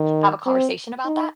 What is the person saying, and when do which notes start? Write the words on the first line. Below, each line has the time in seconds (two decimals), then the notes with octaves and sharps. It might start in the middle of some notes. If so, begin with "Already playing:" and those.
have a conversation about that?
Already playing: D#3
0.46 C4
1.05 D#4